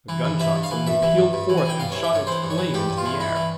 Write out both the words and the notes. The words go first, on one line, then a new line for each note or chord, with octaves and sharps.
A gunshot suddenly pealed forth and shot its flame into the air.
E3
G2
E3 E5
G2
F5
E3
G2 E5
E3
G2
G2
E3
G#5
E3 G5
G2 F5
E3 C#5
E5
G2 C#5
E3 C5
G2
C#5
E3
G2 G4
G2
F4
E3
G2 E4
E3